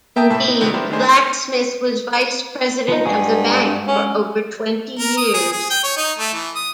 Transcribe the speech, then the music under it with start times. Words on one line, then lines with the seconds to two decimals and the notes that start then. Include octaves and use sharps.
Indeed, the blacksmith was Vice-President of the bank for over twenty years.
0.16 E5 G5 A5 A#5 D#6 G6
0.30 A2 C3 E5 A5 B5 E7
0.47 B3 C4 D#4 E4
0.60 C3 D#3 F3 B3 C4 D4
0.74 B3 D4 E4 G4 A#4 C5
0.89 D#3 A3 D4 D#4 G#4 C5
2.88 F3 D#4
3.05 G2 G#3 F#4 G#4
3.87 C#4
4.99 A#4
5.17 D#6
5.34 G#4
5.52 G#4
5.70 G5
5.83 C#5
5.97 D#4
6.18 A3
6.33 E3
6.55 D#6